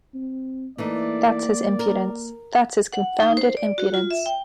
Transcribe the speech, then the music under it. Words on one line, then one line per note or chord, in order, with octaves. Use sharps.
That’s his impudence — that’s his confounded impudence.
C4
E3 A3 A#3 D#4 D5
A#4
F#5
D#4
C5
D5
F#4
F4
E5
G5